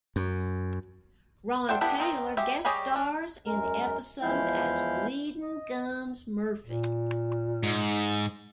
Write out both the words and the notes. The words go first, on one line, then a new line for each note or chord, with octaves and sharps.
Ron Taylor guest stars in the episode as Bleeding Gums Murphy.
F#2
D4 C5 E5 F#5 G5
B3 D4 E4 G4 A4
D#3 C4 D#4 A#4
G#3 F#4 G4 E5
G3 G4 G#4 C#5 D#5
D4
F#2 G#3 A#4
E2 F3 G#3 E4 F5 G6
D#5
A#2
G#2